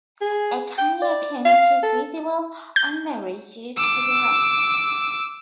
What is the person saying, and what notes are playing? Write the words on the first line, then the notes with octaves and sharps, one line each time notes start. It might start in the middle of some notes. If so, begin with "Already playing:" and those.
A cardiac clinic is visible on the ridges to the right.
G#4
G5
D5
F5
A4
G6
D6 E6